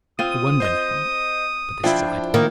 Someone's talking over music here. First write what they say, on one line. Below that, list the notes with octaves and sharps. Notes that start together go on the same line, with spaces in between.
I wonder now--But this is idle.
C4 F4 D#6 D#7
C5 D#5 G6
F3 D4 E4 C5 G5
D#3 A#3